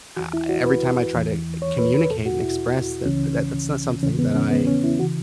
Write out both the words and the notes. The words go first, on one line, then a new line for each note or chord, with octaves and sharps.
uh, every time I try to, uh, communicate and express that, that that's not something that I
E2 E3 F#4
E4
F#4
B4
E2 E3
C#5
B4
B4
E2 B2 A4
F#4
E4
C#2 C#3 E3 C#4
E2 C#3 E3 C#4
B3
C#4
B3
C#4
E4
C#3 E3 F#4